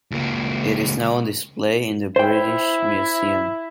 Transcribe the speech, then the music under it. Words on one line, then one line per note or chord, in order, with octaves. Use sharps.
It is now on display in the British Museum.
C#2 A#3
E4 C5 G5